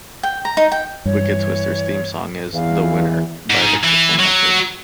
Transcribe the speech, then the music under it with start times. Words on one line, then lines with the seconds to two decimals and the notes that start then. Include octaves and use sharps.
Wicked Twister's theme song is "The Winner" by the Crystal Method.
0.23 G5
0.45 A#5
0.57 D#4
0.72 G5
1.06 G2 E3 C#5
2.54 E2 E3 F5
3.50 G#2
3.84 E3
4.19 F#3